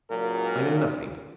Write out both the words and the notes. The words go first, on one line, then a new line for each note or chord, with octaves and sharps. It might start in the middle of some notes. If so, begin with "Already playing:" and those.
I know nothing.
C#2 A#2 F#3 A#4